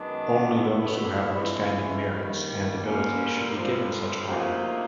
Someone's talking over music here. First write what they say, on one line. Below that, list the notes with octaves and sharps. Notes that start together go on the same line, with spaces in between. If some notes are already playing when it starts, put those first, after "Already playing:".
Only those who have outstanding merits and abilities should be given such honor.
Already playing: F#2 D#3 G#3 B3 D4
D3 F#3 B3 E4
F2 C#3 E3 G#3
D#2 D#3 G3
F#2 D3 G3 A#3 C#4
G2 D3 F3
D2 C3 F3 A#3 D#4